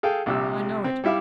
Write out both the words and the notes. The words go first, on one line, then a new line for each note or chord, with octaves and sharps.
'I know it!
G#4 A4 F5 G5
A#1 C3 G3 E6
C4
G3 E4 E5 F5 D6